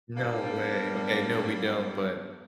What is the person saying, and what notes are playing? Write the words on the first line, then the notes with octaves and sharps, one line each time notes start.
No way. Okay, no, we don't, but
G2 F#3 G3 A#3 B3 D4